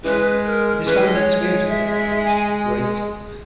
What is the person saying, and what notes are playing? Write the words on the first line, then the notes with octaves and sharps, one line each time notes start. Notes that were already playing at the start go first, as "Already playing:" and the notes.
He described his experience with the Rangers as great.
C#3 E3 G#3 B4
A#4
C#3 E3 G#3 B4
D#5
C#5
C#5
E5
E5
G#5